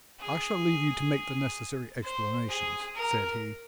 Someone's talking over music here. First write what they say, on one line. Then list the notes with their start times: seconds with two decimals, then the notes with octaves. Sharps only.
"I shall leave you to make the necessary explanations," said he.
0.20 G#4
2.03 C5
2.49 G#4
2.95 A#4